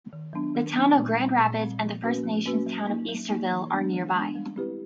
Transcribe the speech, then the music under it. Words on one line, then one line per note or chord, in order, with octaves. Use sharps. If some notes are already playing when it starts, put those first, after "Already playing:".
The town of Grand Rapids and the First Nations town of Easterville are nearby.
D#3
F#3 B3 D4
D#3
F#3 B3 D4
A#2
G3 C4
A#2
G3 C4
F3
A#3 C#4 F#4 B4
F3
A#3 C#4 F#4 B4
F#3
A#3 D#4
F#3
A#3 D#4
E3
G#3 B3 D4
E3
G#3 B3 D4
G3
C4 E4 G4 B4